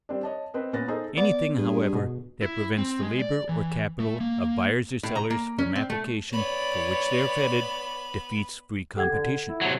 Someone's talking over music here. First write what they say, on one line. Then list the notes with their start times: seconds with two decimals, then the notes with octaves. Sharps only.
Anything, however, that prevents the labor or capital of buyers or sellers from application for which they are fitted, defeats free competition.
0.09 G3 C4 D4
0.23 C#5 D#5 A5
0.54 C4 B4 D#5
0.73 A#2 B3 C#4 A6 A#6
0.88 D#4 G#4 A4 C5 D#5
1.17 B3 D5
1.58 G2 G#4
1.93 B2
2.42 E4
2.78 C4
3.02 G#3
3.19 D5
3.49 E3
4.00 A3
4.21 A#3
5.03 A2
5.15 A#5
5.30 A#3
5.58 C#4
5.76 C4
5.90 A3
6.32 B3 C#5 D5 B5
8.96 G4 A4 F#5 G#6
9.09 D3
9.49 E4
9.61 C3 F#3